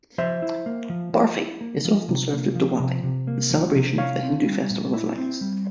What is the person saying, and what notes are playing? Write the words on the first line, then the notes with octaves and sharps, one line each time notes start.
Barfi is often served at Diwali, the celebration of the Hindu festival of lights.
F3 C5 E5
E4
A#3
F3
F3
E4
A#3
F3
C3
A#3
F3
C3
C3
A#3
F3
C3
E4 C#5 F5
C4
G3
A#2
E4
C4
G3